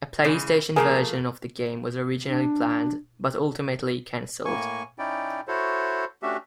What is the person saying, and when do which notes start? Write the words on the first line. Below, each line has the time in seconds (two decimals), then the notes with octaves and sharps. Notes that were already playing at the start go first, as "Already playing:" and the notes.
A PlayStation version of the game was originally planned, but ultimately cancelled.
0.24 C#3 E3 G#3
0.76 F3 A3 A#3 G#4 A#4
2.26 D4
4.45 A2 A#3 G#5 C#6
4.99 C#4 D#4 E4 D5 G5
5.48 E4 F#4 A4 C5 C#5
6.22 A3 C#4 D4 F#4 G4 E5